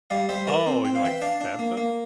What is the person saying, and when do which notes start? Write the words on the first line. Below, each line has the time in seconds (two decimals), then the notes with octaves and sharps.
Oh, you mean, like, Fanta?
0.10 G3 D5 F5
0.29 G3 C5 E5
0.47 E3 A#4 D5
0.66 C4
0.85 C4 G5
0.95 F5
1.03 E3 E5 G5
1.22 D4 D5 F5
1.41 D4
1.59 A#3
1.77 A#3